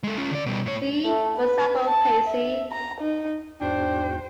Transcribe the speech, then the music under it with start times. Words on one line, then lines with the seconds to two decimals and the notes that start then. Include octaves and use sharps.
See, for example, Pacey.
0.04 G#3 A4
0.17 C#4 F4
0.31 D3 D5
0.46 B2 G3
0.66 A2 C#5
1.05 A3
1.38 B4
1.86 A5
2.27 E5
2.72 A#5
3.01 D#4
3.61 E2 G#2 D4 F#4 C5 G5